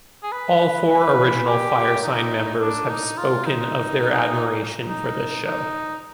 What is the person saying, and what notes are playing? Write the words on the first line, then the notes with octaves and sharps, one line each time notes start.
All four original Firesign members have spoken of their admiration for this show.
G#4
B4
B4
G4
D#4
D4
D#4
F4
D#4
D#4
D#4